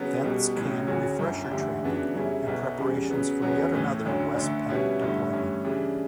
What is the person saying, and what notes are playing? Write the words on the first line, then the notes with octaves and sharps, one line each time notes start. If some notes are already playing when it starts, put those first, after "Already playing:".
Thence came refresher training and preparations for yet another WestPac deployment.
Already playing: C#3 F#3 B3
B1 B2 G3 B3
A1 A2 F#3 C#4
D2 C#3 F#3 C#4 F#4
G1 F#2 D3
E2 D3 A3 E4 G4
C#3 E3 B3 D4 F#4
F#2 C#3 G3 C#4 E4
B1 B2 F#3 B3 E4
E2 C#3 G3
C#3 F#3 B3
E2 C#3 F#3 B3
A2 E3 A3
D2 D3 F#3 C#4
D2 D3 A3
B2 G3 C#4 E4 B4
G2 D3 A3 E4
G2 E3 A3 C#4
C#3 E3 G3 D4